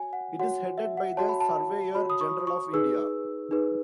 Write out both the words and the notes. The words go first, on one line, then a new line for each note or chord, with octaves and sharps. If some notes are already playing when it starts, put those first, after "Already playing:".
It is headed by the Surveyor General of India.
Already playing: F#4 C#5 G#5
F#5
F#4 C#5 F#5
E5
F#5
F#4 C#5 A5
B5
A5
F#4 C#5 B5
D#6
C#6
C#6
D#4 G#4 B4 E6
D#4 G#4 B4